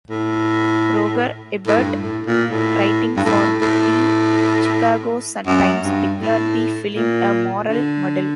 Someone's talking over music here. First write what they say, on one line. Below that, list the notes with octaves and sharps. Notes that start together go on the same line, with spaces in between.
Roger Ebert, writing for the "Chicago Sun-Times", declared the film a "moral muddle".
A2
A2
G2
A2
A#2
A2
G2
A2
A2
F#2
G2
A2
A#2
D3